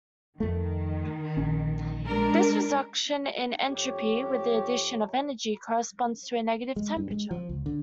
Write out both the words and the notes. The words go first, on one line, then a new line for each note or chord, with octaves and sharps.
This reduction in entropy with the addition of energy corresponds to a negative temperature.
F2 D#3 A3
A#1 C#4
G#3 D4 A#4
F2 G4 C#5
G#3
G2
G#3
F3
C#2
D3